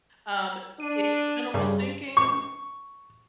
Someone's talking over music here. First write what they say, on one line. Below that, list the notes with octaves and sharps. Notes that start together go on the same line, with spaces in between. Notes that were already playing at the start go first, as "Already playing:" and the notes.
um, in general thinking,
D4 D#7
G2 C#3 G3
C#6